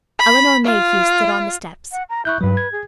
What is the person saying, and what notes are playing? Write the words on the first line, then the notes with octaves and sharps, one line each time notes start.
Elinor Mayhew stood on the steps.
B5
F4
F#5
A#5
E4 C#6 F#6 G6
G2 F#3 B4
G#6
G#4